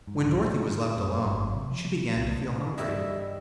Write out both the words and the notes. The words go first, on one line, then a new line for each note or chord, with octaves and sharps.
When Dorothy was left alone she began to feel hungry.
G#2
B1
A2
F#2
G#1
C3
F3
C2
A3
G2 G3 D#5 E5